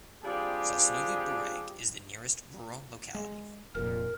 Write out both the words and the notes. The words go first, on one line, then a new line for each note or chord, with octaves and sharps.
Sosnovy Bereg is the nearest rural locality.
G3 C4 D4 F4 G4 G#4
G#3
F1 F2 A#2 A#4